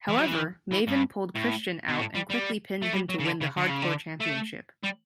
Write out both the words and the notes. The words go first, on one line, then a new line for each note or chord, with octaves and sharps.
However, Maven pulled Christian out and quickly pinned him to win the Hardcore Championship.
E3
F#3
E3
E3
G2
A2
B2
A2
G3
G3
A3
G3
F#3
C#3
D3
C#3
D3
C#3
D3
A3
G3